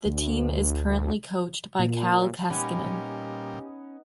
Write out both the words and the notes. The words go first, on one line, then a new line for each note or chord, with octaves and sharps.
The team is currently coached by Kalle Kaskinen.
D2
A#2
A#2 G3 B3 C#4 D#4 G4 G#5 A#5